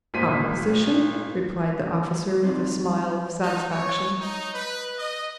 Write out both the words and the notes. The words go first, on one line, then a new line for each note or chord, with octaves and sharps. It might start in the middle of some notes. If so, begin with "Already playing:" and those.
"Our position?" replied the officer with a smile of satisfaction.
G#1 A#2 C5 B6 D#7
G3 C4 D#4 D5
D#4
C#5
D#4
B4
D#5